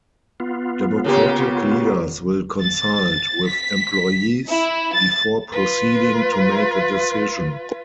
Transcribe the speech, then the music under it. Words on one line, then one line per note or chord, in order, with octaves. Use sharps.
Democratic leaders will consult with employees before proceeding to make a decision.
B3 F4
C#3 A#3 G4
A6
B6
E4
A6
F4 B4